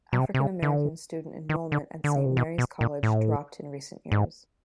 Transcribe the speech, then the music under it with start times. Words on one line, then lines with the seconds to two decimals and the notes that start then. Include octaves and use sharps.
African-American student enrollment at Saint Mary's College dropped in recent years.
0.13 B2
0.19 C3
0.34 C3
0.40 C#3
0.62 D3
1.49 D#3
1.72 D3
2.04 D3
2.16 C#3
2.26 C3
2.37 B2
2.58 B2
2.81 A#2
3.03 A2
4.12 G#2